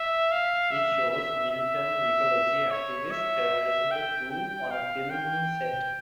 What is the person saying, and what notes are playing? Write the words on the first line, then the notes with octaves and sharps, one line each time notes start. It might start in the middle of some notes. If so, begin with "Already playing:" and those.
It shows militant ecologic activists terrorizing the crew on a filming set.
Already playing: E5
F5
E5
E5
E5
C#5
E5
G5
G5
F5
G5